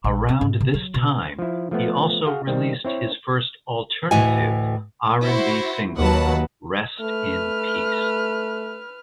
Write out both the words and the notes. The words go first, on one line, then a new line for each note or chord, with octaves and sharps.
Around this time he also released his first Alternative RnB single "Rest In Peace".
A#1
C4
G#2
C3
F#3
B2
F3 E4
F3 A3 B3
F#4 G#4 F5
D#3 G3 C4
C4 E4 C#5
D2 A2 E3 F#4 D#5 G#5
E4 F#4 C5
D#2 F#3 B4 F#5 A5
A3 B4 F6